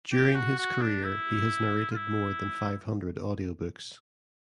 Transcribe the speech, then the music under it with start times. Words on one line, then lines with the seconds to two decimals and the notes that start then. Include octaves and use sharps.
During his career he has narrated more than five hundred audiobooks.
0.12 G4
0.35 F#4
0.58 F#4
0.81 D4
1.04 E4
1.91 F4
1.95 E4